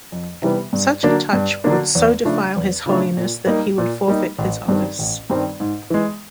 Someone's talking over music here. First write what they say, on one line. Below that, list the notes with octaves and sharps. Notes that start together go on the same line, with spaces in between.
Such a touch would so defile his holiness that he would forfeit his office.
F2
C3 E3 G3 B3
G2
D3 F#3 A#3 D4
G2
D3 F#3 A#3 D4
E2
C#3 F3 A3 D4
E2
C#3 F3 A3 D4
A#2
G3 A#3 D#4
A#2
G3 A#3 D#4
A1
G2 D#3 G3 C4
A1
G2 D#3 G3 C4
G#2
E3 G#3